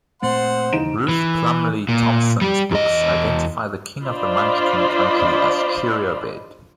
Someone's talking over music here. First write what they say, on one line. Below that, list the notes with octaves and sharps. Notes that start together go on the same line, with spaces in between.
Ruth Plumly Thompson's books identify the king of the Munchkin Country as Cheeriobed.
A#2 A3 C4 C5 F#5 C6
D#2 C#3 E3 D#4 D7 E7
E3
A#2
G3 G4
E2 D#5
D4 F4 C5 D5 D#5 B5